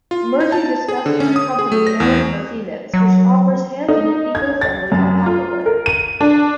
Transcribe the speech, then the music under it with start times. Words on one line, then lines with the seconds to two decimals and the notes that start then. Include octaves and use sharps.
Murphy discussed her company Erin Murphy Knits which offers hand knit eco-friendly alpaca wear.
0.11 F4
0.40 D#4
0.52 A5
0.88 G#4
1.06 D3
1.20 C#4
1.36 D#6
1.59 G#4
1.72 A3
1.87 A#6
2.00 E2
2.94 F#3
3.88 D#4
4.35 G#6
4.61 A6
4.92 F#2
5.26 F4
5.66 A#4
5.86 D#7
6.21 D4